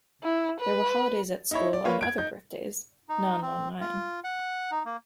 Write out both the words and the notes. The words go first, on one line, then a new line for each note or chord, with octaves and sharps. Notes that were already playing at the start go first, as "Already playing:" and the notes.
There were holidays at school on other birthdays — none on mine.
E4
B4
D#4 E4 C#5
D5
A#3 F4 B4 C#5
G#6 D7
D#4 G6
D#4
C4
F4
F#5
D#4
A#3